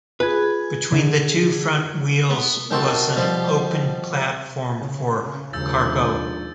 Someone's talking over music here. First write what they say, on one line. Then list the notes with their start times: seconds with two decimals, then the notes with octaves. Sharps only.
Between the two front wheels was an open platform for cargo.
0.20 F4 G#4 B4 G#6
0.92 D3
2.30 B3
2.71 B1 D#3 C4 F#4 A4
3.16 B2 F3 G3
4.82 C#3
5.53 D#2 G#2 F3 D4 E6 G6 A6